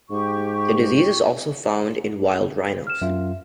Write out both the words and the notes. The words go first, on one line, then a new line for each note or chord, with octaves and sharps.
The disease is also found in wild rhinos.
G#2 G4 C#6
F6 E7
F#2 F4 E5